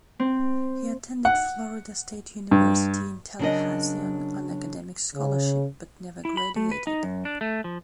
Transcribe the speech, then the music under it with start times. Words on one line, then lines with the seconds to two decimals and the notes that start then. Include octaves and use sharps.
He attended Florida State University in Tallahassee on an academic scholarship, but never graduated.
0.20 C4
1.25 F#5
2.51 G2
3.39 C#3 F#3 D4 A#4 D#5
5.15 C#3
6.25 E4
6.37 B5
6.56 A3
6.72 B4
6.87 D#4
7.03 F#2
7.25 D4
7.41 A3
7.64 F3